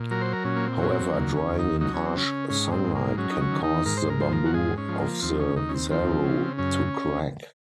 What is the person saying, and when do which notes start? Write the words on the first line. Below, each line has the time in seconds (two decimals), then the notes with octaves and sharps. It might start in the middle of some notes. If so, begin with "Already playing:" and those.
However, drying in harsh sunlight can cause the bamboo of the "zaru" to crack.
Already playing: A#2
0.11 F#3 A#4
0.21 C5
0.33 A#4
0.44 A#2 C#4
0.56 A#3
0.67 C4
0.79 F#3 C#4
0.90 C4
1.13 D#2 A#3
1.36 C#4
1.47 D#2
1.59 D#4
1.81 F#3 D#4
1.94 C#4
2.06 C4
2.15 C#3 C#4
2.50 G#2 C#4
2.72 C4
2.84 G#2
2.96 A#3
3.17 F#3 C#4
3.31 D#4
3.41 C#4
3.51 D#3
3.63 D#4
3.85 G#2 A#4
3.97 C5
4.10 A#4
4.21 F3 C5
4.33 A#4
4.46 F#4
4.54 G#2 G#4
4.78 C#4
4.88 F3
5.00 A#3
5.22 D#2 C4
5.40 C#4
5.56 D#2 D#4
5.69 C#4
5.74 C4
5.91 F3 C4
6.24 C#3
6.58 F#2 C#4